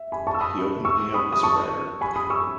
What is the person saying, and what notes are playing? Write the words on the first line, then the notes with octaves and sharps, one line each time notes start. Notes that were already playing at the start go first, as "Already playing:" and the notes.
He opened me up as a writer.
Already playing: E5
G#5 B5
A5 C#6
E6
B5 D#6
C#6 E6
B5 D#6
D#6
A5 C#6
G#5 B5
B5 D#6
C#6 E6